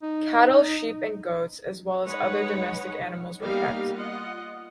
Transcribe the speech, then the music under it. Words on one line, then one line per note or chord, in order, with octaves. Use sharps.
Cattle, sheep, and goats, as well as other domestic animals were kept.
D#4
G#3 D#4 B4 C#5 F#5
G3 A#3 B3 D#4 G4 F5
F4 D#5 F#5